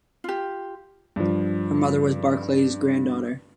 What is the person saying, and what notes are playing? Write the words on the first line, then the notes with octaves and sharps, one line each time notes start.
Her mother was Barclay's granddaughter.
F4 G4
G2 F3